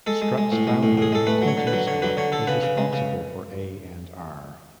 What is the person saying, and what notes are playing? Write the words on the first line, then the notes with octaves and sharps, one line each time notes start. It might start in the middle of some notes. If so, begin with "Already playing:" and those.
Strut's founder, Quinton Scott, is responsible for A and R.
G#3 A4
G#3
G#3
A2
G#3
A2
A2 G#4
G#3 A4
A3 B4
F#3
C#5
D3
B4
F#3
D3 C#5
F#3 B4
D3 C#5
D3 A4
C#3 B4
C#3
G#3
C#3